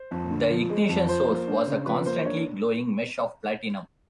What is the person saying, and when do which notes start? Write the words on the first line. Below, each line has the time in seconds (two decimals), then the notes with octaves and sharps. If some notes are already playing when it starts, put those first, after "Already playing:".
The ignition source was a constantly glowing mesh of platinum.
Already playing: C5
0.11 F2
0.31 D3
0.50 F3
0.70 G#3
0.89 F2
1.09 F3 C5
1.28 A#3
1.47 D4
1.67 C#3
1.86 F3 B4
2.06 A#3 C5
2.25 D4 C#5